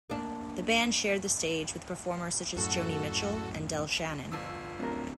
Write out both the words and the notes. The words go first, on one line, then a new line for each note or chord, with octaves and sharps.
The band shared the stage with performers such as Joni Mitchell and Del Shannon.
A#3 D4
F#2 A2 F#4 A4
G1 F3 F4 E6
D1 D4 A#4